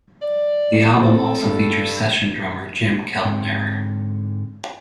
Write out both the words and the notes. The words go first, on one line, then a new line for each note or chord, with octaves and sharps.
The album also features session drummer Jim Keltner.
D5
C4 A4
G2
G#2 D3 G#3 C4 C#5 G5